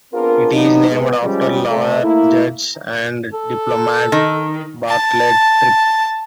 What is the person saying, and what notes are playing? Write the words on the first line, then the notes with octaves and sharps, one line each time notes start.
It is named after lawyer, judge, and diplomat Bartlett Tripp.
B3 C4 D4 F4 G#4 A#4
E3 F#3 B3 D4 D#4
G#3 B3
F3 G3 G#3 C#4
C3 A3
A3 A#3 E4
A4
D#3
A5